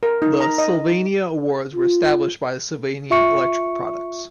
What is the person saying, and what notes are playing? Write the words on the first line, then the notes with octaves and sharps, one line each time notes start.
The Sylvania Awards were established by Sylvania Electric Products.
A#4
D#4
A#5
D#5
F4
F4 E5 C#6 C#7